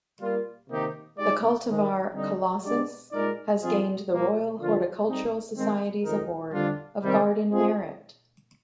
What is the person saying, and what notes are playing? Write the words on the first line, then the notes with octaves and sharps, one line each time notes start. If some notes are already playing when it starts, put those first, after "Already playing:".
The cultivar 'Colossus' has gained the Royal Horticultural Society's Award of Garden Merit.
G3 A#3 F4
C3 D#3 A#3 D#4 G4
G#3 D#4 G4 D5
G#2 D#3 G#3
D3 G3 C4 D#4
G#3 D4 G4 D5
A#2 G#3 D#4 A#4 D5
G#2 F3 C4 F4 G#4
A#2 G3 A#3
D3 F3 A#3 F4
G3 C4 D#4
D#3 G#3 C4 D#4
F2 D#3 G#3 D#4 A#4
F2 D3 G3 D4 F4
C3 D#3 G3 C4
G#3 C4 F4 G#4